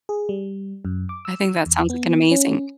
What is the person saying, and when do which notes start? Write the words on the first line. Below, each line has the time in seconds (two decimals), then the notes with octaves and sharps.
I think that sounds like an amazing
0.09 G#4
0.29 G3
0.85 F#2
1.09 D6
1.25 E6
1.66 E2
1.90 B3
2.31 C#4